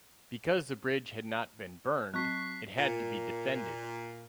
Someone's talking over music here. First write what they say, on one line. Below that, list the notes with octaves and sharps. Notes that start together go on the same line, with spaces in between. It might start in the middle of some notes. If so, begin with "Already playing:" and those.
Because the bridge had not been burned, it had to be defended.
F#3 C4 C#6 F#6 B6 C7
A#2